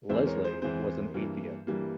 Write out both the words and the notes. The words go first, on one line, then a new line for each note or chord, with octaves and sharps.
Leslie was an atheist.
E2 E3 G#3 C4 C5 E5
A#4 C#5
G#4 C5
E2 E3 G#3 C4 G#4 C5
G2 E3 G3 A#3
G2 E3 G3 A#3